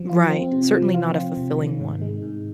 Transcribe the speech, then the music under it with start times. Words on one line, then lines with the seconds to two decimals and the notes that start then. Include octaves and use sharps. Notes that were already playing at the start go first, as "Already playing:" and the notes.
Right, certainly not a fulfilling one.
Already playing: F3
0.09 F4
0.30 C4
0.52 C3
0.73 F3
0.94 F4
1.16 C4
1.37 C3
1.58 D#3
1.80 G#2
2.01 G#3
2.22 G#2